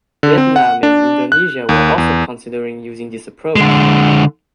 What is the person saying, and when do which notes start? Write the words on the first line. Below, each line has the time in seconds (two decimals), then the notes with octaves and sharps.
Vietnam and Indonesia were also considering using this approach.
0.23 D3
0.38 C4
0.56 F#5
0.83 D4
1.32 F#6
1.69 D#2
1.98 E2
3.56 D3 G#3